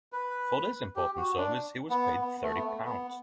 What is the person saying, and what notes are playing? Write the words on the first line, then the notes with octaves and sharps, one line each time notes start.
For this important service he was paid thirty pounds.
B4
G4
F#4
D4
B3
B3
A3
B3
A3
B3